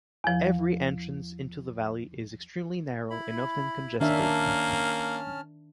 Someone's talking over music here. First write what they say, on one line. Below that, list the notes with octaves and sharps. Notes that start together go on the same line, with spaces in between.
Every entrance into the valley is extremely narrow and often congested.
E2 F3
E4 B5
D#3 A#3 C#4 D4 E5 A5 F6